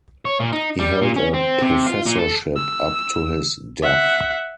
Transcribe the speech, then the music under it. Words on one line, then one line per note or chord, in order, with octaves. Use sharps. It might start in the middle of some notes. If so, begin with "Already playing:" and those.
He held a professorship up to his death.
C#5
A#2
D#4
G3
A#2
C#4
C4
C3
F4
A#2
A4
E6
E5 F#5